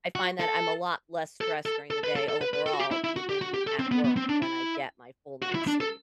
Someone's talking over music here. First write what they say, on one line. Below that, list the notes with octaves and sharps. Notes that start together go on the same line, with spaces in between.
I find that I'm a lot less stressed during the day overall even at work when I get my full night's sleep.
F#4
A4
A4
A4
A4
B4
A4
A4
B4
B4
A4
F#4
G4
E4
E4
F#4
G4
F#4
G4
A4
C4
B3
B3
C4
D4
E4
F#4
E4
D4
A4